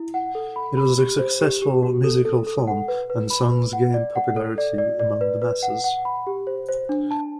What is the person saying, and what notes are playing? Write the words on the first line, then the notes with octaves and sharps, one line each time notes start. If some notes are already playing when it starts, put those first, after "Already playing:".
It was a successful musical film and songs gained popularity among the masses.
Already playing: E4
F#5
A4
B5
B5
G4
C5
G4
G4
F#4
A4
A4
A4
F#5
B4
B4
B5
B4
F#5
D5
F#5
A4
D5
D5
D5
B4
B4
F#5
F#5
B5
G4
C5
C5
D4
A5